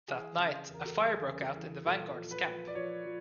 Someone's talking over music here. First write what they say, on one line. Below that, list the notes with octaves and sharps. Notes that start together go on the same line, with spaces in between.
That night, a fire broke out in the vanguard's camp.
E3 G#4
C#3
E2
A#4
A4
G3 G#4
C#3
A4
E3
A#2 A4
F3
B4
F3
D5
F3 C#5
F3